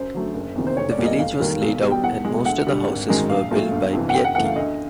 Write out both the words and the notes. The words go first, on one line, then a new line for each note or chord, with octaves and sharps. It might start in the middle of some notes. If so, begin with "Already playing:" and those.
The village was laid out and most of the houses were built by Beatty.
Already playing: F#2 C5
D3 F#3 A3
F#1
E2 C3 D#3
C5
F1 C#5
D5
E2 B2 G3 A#3
D#5
F1 F5
D#2 D#3 G3
B1
G3
B2 G5
E2 F#5
B2 G#3
D2 F#5
D3 G3
G#1
F#2 D#3 G#3
A#1 F5
A#2 F#3 A3
G1
F2 C3 E3
F#5
F#1 G5
F#5
F#2 C#3 E3 A3 F#5
F5
D2 D#5